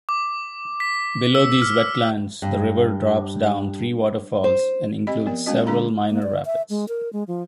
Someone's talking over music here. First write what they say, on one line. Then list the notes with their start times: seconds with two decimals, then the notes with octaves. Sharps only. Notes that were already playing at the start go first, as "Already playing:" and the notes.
Below these wetlands the river drops down three waterfalls and includes several minor rapids.
0.09 D6
0.80 B6
1.35 E6
1.62 F6
2.42 G2
4.44 C5
5.07 C4 G4 D#5 B5
5.26 F3 B3 A#4
5.46 G#3 C4 C#4 F#4 D#5
5.66 D3 G#3 D4 G#4 A#5 B5
6.10 A#3
6.23 D5
6.45 E5
6.70 G#3
6.89 A#4
7.13 G#3
7.28 F3